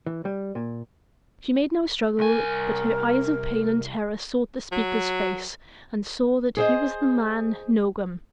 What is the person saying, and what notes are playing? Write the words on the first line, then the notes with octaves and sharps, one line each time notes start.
She made no struggle, but her eyes of pain and terror sought the speaker's face, and saw that he was the man Nogam.
E3
G3
A#2
C2 A#4 G#5
F#3
G#4 C5 D#5